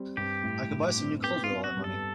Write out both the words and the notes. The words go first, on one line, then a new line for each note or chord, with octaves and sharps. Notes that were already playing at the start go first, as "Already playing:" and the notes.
I could buy some new clothes with all that money.
Already playing: G3 C4
G2 G4
A2
A2
C4
B3 G4
F4
B3
F#4
G2
A4